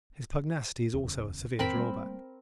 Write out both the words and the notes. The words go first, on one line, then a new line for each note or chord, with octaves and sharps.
His pugnacity is also a severe drawback.
D1 E2 C#3
F2 A2 D#3 C4 A#4 B5
G3 A3 A#3